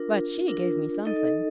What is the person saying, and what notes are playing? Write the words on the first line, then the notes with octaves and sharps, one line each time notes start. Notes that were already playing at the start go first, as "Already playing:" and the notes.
But she gave me something.'
Already playing: D4 F4 A#4
D4 F4 A#4
D#4 A4 D#5